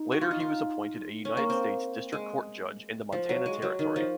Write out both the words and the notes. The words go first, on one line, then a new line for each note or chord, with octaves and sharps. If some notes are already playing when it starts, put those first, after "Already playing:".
Later he was appointed a United States District Court judge in the Montana Territory.
Already playing: D#4
F#4
F4
D#4
F4
C#4
A#3
C4
G#3
F3
F#3
G#3
F#3
D#3
F3